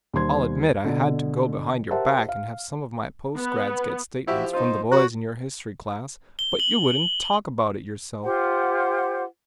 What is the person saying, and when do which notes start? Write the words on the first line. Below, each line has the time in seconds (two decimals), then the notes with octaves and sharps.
"I'll admit, I had to go behind your back and have some of my postgrads get statements from the boys in your history class, but you wouldn't talk about it yourself...."
0.13 D#2 G3 C5 C6 G#6
0.84 B2 D3
1.91 G4 A#4 C5 E5 F#5 A5
2.29 F5
3.37 B3
4.27 F3 E4 F#4 G4 E5
4.53 D#4 F4 C5
4.92 F#3 F#4 B4 F#6
6.39 G7
6.60 F#7
8.23 F4 G4 C5 F#5